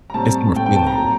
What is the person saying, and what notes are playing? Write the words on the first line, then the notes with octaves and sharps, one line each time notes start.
It's more feeling.
A#5
A2 G3 C4 A5
A2 A3 C4 G5
G5
A5
A#5
A#2 F#3 A3